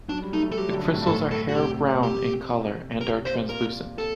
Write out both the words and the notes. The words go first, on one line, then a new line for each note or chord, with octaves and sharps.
The crystals are hair-brown in color and are translucent.
F#3 D4
G3
A3 D#4
G3
A4
F#3 G4
D3
C3
A2
G2
A2 A4
A4
F#4
C3 G4
G4
C3 A#4
A#2 C5
A#2 A#4
A4